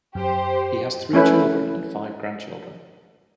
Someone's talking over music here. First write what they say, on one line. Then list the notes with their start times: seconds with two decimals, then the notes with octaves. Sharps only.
He has three children and five grandchildren.
0.15 F#2 G4 C5
1.13 A3 C#4 E4 B4